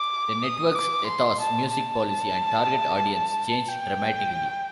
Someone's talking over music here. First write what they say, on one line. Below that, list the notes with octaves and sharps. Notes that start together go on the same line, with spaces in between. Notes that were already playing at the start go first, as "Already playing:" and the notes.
The network's ethos, music policy and target audience changed dramatically.
Already playing: D6
D#6
D6
C6
A5
A5
G5